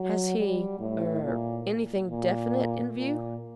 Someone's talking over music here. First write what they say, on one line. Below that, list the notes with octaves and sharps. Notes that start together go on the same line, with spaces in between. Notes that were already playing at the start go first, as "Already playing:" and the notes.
"Has he--er--anything definite in view?"
Already playing: F#3
G3
A2
A#2
A#2
A#2